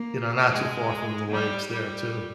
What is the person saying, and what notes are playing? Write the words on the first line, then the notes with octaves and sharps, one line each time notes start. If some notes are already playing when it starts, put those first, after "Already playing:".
you know, not too far from the lakes there too.
Already playing: A#3
G#3
G3
G3